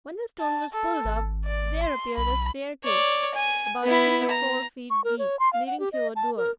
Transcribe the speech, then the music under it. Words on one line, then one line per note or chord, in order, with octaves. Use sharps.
When the stone was pulled up, there appeared a staircase about three or four feet deep, leading to a door.
A5
A4
G#1
D5
C6
B1 B5
C#5 D5
G#5
B3 E4
A#5
C#6
A#4
C#5
C6
F5
F#5
G4
D#5
A5
A#4